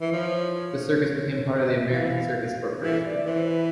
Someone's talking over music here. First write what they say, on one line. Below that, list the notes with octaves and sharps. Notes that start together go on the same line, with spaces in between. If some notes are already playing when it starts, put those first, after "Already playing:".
The circus became part of the American Circus Corporation.
E3
F3 C#5
D#5
E5
E3 F5
E3 E5
D5
E3 C5
B4